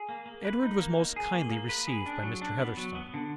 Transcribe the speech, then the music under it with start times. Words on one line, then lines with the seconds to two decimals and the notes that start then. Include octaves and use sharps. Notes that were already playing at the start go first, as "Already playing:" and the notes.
Edward was most kindly received by Mr. Heatherstone.
Already playing: G#4
0.09 A#3
0.26 A#3
0.45 B4
0.62 D#4
0.80 A#3
0.98 A#3
1.16 G#4
1.34 A#3
1.51 A#3
1.69 B4
1.87 G#4
2.06 D4
2.23 F#3
2.42 D4
2.60 B3
2.77 F#3
2.95 B3
3.14 D3